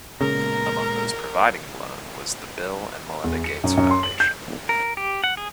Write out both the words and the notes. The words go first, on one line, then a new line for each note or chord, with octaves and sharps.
Among those providing the loan was the Bill and Melinda Gates Foundation.
A#2 C#3 G#3 B3 A#4 A#5
E2
C#7
F#2
F#2
C6
F#7
G6
A#4
G4
F#5
G#4